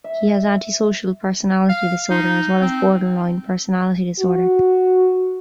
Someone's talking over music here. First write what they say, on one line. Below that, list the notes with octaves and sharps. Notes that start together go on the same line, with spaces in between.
He has antisocial personality disorder as well as borderline personality disorder.
E5
F5
D#4
C4
F#4